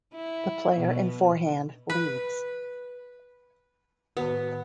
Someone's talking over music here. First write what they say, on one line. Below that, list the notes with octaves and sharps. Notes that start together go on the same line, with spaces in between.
The player in forehand leads.
E4
B2
B4
A2 D#3 B3 F#4